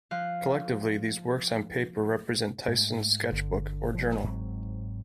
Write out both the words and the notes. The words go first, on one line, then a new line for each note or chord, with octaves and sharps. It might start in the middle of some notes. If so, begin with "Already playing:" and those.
Collectively these works on paper represent Tyson's sketchbook or journal.
F3 F5 F#6
G#2 A3
G1 D3
F3 G3
G#2 F#3 C4